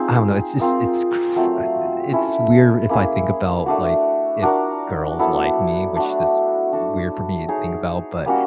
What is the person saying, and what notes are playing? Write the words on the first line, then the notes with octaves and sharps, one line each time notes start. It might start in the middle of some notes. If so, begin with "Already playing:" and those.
I don't know, it's just it's cr I d it's weird if I think about, like, if girls like me, which is weird for me to think about, but
Already playing: C4 D#4 F4 G#4
C4 F4 A#4 D#5
F#3 A3 C4 F4
C#4 E4 A4
A#3 C#4 E4 G#4
A3 D4 F#4
D4 F#4 A#4
F#3 B3 E4 A4
A3 D4 F#4
D4 F#4 A4
D#4 G#4 C#5
G3 A#3 C#4 F#4